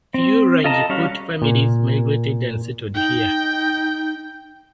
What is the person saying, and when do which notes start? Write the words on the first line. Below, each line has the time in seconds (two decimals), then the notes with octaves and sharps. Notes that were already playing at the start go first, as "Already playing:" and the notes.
Few Rajput families migrated and settled here.
0.14 C4
0.64 F4 A4 D#5 A5 A#5
0.90 G3 C#4 F#4 F5
1.42 A#2
2.95 D#4 G5